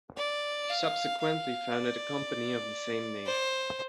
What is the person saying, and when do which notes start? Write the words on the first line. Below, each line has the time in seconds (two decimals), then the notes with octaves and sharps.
He subsequently founded a company of the same name.
0.17 D5
0.69 F5
1.20 F5
1.72 D5
3.26 C5